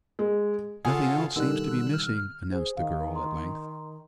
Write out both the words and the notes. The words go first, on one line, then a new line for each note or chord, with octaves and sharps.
"Nothing else seems to be missing," announced the girl, at length.
G#3
C#3 F4 G#4 A4 F#5
B2 D3 D#3 G3 E6 F#6
F6
G#4 C5
D#3 F5
A#5 C6